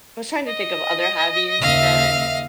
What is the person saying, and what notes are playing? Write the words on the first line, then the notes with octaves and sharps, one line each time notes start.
I was trying to think of other hobbies that
D#5
D#2 C#3 E5 F5